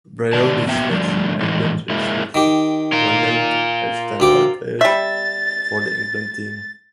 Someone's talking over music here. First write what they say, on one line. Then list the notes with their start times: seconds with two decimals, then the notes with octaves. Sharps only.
Bryony Smith and Linsey Smith were named as standby players for the England team.
0.33 A2 D#3 D5 A5
0.67 A#3 B3 E5 G5
0.89 D3 F3 G3 A3 D4
1.41 A2 D#3 E3 G#3 D#4
1.90 G#3 A#3 E4
2.34 D#3 G4
2.93 F4 A#4
4.20 D2 G4 D6
4.81 G3 E5 A6